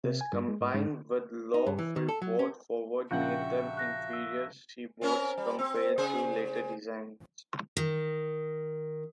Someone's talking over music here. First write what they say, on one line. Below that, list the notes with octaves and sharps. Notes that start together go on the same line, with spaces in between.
This combined with low freeboard forward made them inferior seaboats compared to later designs.
C3
G#5
G2
G#3
G#2
G#2
D#4
G2
E3
D#3
A4
F#3
C#4
A#1 C#3 F#4 E5 F#5 G5
C#6 F#6 A#6
E5
C4 C#4 A#4
G3
C4
C#3 G#4 C5
D#3